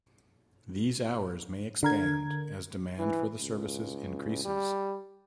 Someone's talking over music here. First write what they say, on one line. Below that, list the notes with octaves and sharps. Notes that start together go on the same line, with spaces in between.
These hours may expand as demand for the services increases.
D3 A#4 G#6
E3
C#2
G3